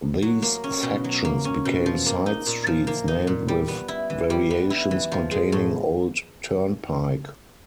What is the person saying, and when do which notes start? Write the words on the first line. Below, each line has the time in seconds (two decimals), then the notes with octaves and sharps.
These sections became side streets named with variations containing Old Turnpike.
0.22 F#3
0.42 A#3
0.64 C#4
0.83 B2
1.04 F#3
1.25 A#3
1.45 C#4
1.65 B2
1.86 F3
2.06 A#3
2.26 D#4
2.46 A#2
2.67 F3
2.87 A#3
3.08 D#4
3.27 A#2
3.48 G3
3.68 B3
3.88 E4
4.10 E3
4.30 G3
4.51 B3
4.70 E4
4.91 E3
5.12 F3
5.31 G#3
5.52 A2